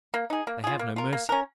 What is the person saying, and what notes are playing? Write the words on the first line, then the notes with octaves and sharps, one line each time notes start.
They have no mercy.
A#3
D#4 G#4
A#3
F4 G#4
A#3
F4 A#4
A#3
C#4 A#4